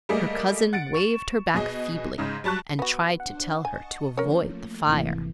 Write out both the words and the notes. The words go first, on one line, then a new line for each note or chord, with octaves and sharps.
Her cousin waved her back feebly, and tried to tell her to avoid the fire.
G3 A3 A#3 G#4 D5 D#5
F#5 A6 C#7 D7
C#6 E7
B2 G#4 D#5
G#2 C#3 D#4
F#3 G3 A5 C#6 F#6
B3 F#4
D4 C5 F#5
D#5 G#5 A5 C#6
F3 A3 A#3 C#4 A#4 C#5
G#1 C3 E3